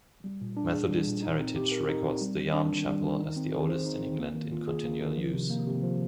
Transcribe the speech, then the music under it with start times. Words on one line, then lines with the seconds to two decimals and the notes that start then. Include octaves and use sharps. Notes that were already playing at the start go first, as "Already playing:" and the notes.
"Methodist Heritage" records the Yarm chapel as the oldest in England in continual use.
0.24 G3
0.41 A#2
0.57 D4
0.73 G#4
0.90 G3
1.07 A#2
1.23 D#4
1.39 C4
1.56 G4
1.72 A#4
1.89 D#4
2.05 C4
2.21 G3
2.37 D#3
2.54 D4
2.71 D#3
2.87 G3
3.03 D#3
3.19 D#4
3.37 C4
3.53 G#4
3.69 C5
3.86 D#4
4.03 C4
4.18 A#3
4.35 D#3
4.52 F4
4.67 G#4
4.84 A#3
5.01 D#3
5.17 F3
5.33 C3
5.50 A#3
5.67 C3
5.83 F3